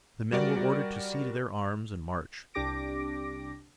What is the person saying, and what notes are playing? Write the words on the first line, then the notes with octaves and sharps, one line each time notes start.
The men were ordered to see to their arms and march.
G3 F#4 A#4 D5
C2 D4 G4 D6 A#6 D7